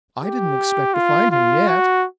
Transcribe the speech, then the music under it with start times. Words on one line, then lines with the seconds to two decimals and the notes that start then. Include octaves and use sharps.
I didn't expect to find him yet.
0.22 G4
0.94 F4
1.31 F4
1.68 F#4